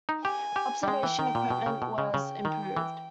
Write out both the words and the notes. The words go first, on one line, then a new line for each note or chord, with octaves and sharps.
Observation equipment was improved.
D#4
G4 G#5
G4
G3
G#3 G5
E3
D#3
A#2
B2
C#3
B2
C#3
C#3 G5
D#3
E3